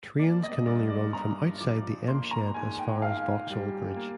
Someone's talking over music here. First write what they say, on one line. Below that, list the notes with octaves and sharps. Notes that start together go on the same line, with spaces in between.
Trains can only run from outside the M Shed as far as Vauxhall Bridge.
A#3 D5
D#5
G2 D5
D5
G2 A#5
F3 D6
A#3 C6
A#5
G#2 G#5
G5
G#2 F5
G3
A#3